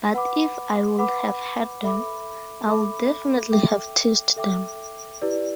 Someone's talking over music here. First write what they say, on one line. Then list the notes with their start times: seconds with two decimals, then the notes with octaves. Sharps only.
But if I would have had them, I would definitely have teased them!
0.14 B4 F#5 B5 D6
0.99 B4 F#5 B5 D6
1.83 A4 E5 B5 D6
2.67 A4 E5 B5 D6
3.52 A4 E5 G5 D6
4.37 A4 E5 G5 D6
5.22 E4 G4 B4 D5